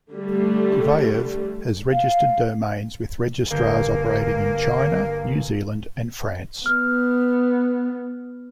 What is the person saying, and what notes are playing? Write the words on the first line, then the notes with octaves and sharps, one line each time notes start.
Kuvayev has registered domains with registrars operating in China, New Zealand, and France.
D3 G3 A3
F5
G1 A#3 G6
B3 F6